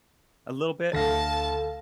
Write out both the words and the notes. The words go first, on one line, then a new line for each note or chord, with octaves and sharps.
a little bit?
D2 A4 F5 A5 A#6